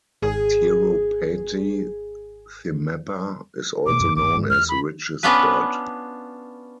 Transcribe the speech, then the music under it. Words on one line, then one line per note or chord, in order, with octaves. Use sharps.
Tirupati Thimmappa is also known as richest God.
G#1 G#4
B2 A#3 D6
F#2
G1 D2 D6
G#2 D3
E2 F6
B5
B3 C#4 D4 F4 B4